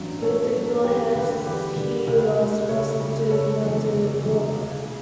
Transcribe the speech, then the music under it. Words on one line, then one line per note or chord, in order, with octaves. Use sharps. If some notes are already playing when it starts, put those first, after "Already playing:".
Due to poor health he was forced to return to Boma.
Already playing: A1 G2 F#3
A1 A4 C#5
G2 F#3
C#5
E2 G4 B4
D3 G3 G4 B4
E2 G4 B4
D3 G3
C#2
C#3 G3
C#2 A4 C#5
C#3 G3
F#1 A4 C#5
E2 D3 F#3
F#1
E2 D3 F#3
C#2
C#3